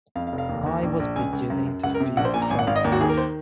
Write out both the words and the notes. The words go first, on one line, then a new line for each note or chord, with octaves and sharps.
I was beginning to feel frightened.
F2 F5
F5
F1
F5
D#2
D#2
A#1
A#1
C#2 G#5
C#2
F#2
F#2
C#2 F#5
A#4
C3
A#1 F#5
C5
A#2 G#5
A#5
G#1 G#5
F#5
G#1 F5
D#5
D#2
F#4
D#3 G#4
A#4
C5